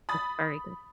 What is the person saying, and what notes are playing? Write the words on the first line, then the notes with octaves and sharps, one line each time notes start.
That's very good.
B5 D#6 A6